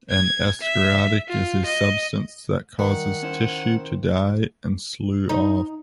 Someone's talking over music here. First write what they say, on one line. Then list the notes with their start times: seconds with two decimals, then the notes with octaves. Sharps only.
An escharotic is a substance that causes tissue to die and slough off.
0.11 G#6
0.62 E5
1.29 F4
1.66 D#5
2.79 D#3 G3 F#5
3.23 C#4 E4 C5
5.29 D#4